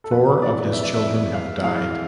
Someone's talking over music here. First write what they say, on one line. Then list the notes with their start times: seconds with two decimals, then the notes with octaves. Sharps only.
Four of his children have died.
0.04 A4
0.11 F2 B4
0.42 E3 G#3 D5
0.72 F2 E5
0.83 D5
0.94 E5
1.03 E3 G#3
1.33 F2 F5
1.63 E3 G#3 F5